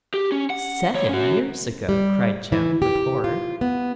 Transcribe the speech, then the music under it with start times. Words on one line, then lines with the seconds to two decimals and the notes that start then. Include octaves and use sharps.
'SEVEN YEARS AGO!' cried Jem, with horror.
0.14 G4
0.32 C#4
0.50 F#5
0.94 D2 C#5
1.09 C#4 F#4
1.89 G3
2.52 E3
2.82 G4
3.24 F4
3.61 B3